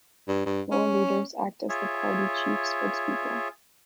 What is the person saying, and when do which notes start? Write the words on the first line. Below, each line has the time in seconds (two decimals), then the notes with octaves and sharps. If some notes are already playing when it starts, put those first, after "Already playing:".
Floor leaders act as the party chief spokespeople.
0.28 G2
0.46 G2
0.72 C#4
1.69 F4 G#4 C#5 E5